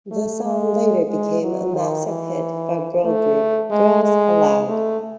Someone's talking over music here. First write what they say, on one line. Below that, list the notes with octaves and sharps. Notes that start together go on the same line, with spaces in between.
The song later became a massive hit for girl group Girls Aloud.
A3
G#3
G#3
F#3
D#3
E3
A3
G#3
G#3
A3